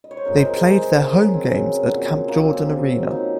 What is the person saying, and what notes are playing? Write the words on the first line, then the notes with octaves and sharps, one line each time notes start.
They played their home games at Camp Jordan Arena.
D#5
C#5
C5
C3 F3 G#3 A#4
C5
A#4
G#4
C3 F3 G#3
C#3 G#3 A#4
G#4
C4
C#3 F#3
A#2 F#3
C#3 F#3 A#3
C4
A#3
C3 F#3
C#3 F3 G#3 D#4